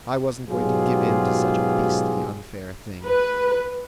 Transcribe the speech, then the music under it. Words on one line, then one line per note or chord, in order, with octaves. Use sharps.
I wasn't going to give in to such a beastly unfair thing.
G#2 B2 F#3 F4 G4 G#4
B4